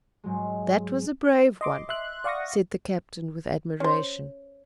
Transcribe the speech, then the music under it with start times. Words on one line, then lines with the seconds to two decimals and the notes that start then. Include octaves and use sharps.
"That was a brave one," said the captain with admiration.
0.24 G#2 F#3 G#3
1.61 D#5 C6 D6
1.89 E5 C6 F#6
2.24 D5 F5 F#5 C#6 D#6 A#6
3.80 C#4 C5